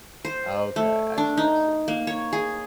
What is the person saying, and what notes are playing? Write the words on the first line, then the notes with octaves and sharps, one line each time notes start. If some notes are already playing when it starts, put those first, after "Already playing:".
Okay. I see, I see.
C5
A3
D4
D#4
A#3
C#5
G#4